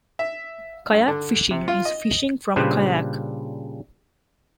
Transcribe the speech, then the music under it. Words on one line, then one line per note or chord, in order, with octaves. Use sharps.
Kayak fishing is fishing from a kayak.
E5
G2
D3
C3
F4
D#5
A#2 C#3 G3 D4 B4 C5